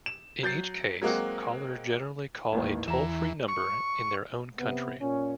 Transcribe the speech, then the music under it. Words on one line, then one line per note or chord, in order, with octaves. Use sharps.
In each case, callers generally call a toll-free number in their own country.
E7
F#3 G6 A6 C7
F#3 G#3 A#3 C4 F#4
A1 D#2 G#2
E2 E3 A#5 E7
C#6
C3 B3
A#2 C#4